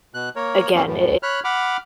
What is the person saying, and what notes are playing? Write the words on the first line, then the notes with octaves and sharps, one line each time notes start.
again i i
B2 F#6
A#3 A#4 C#5
F2 F#3 A#3 C4 C#4
F#2 A2
C#5 B5 F6 F#6
F#5 B5 D6 F6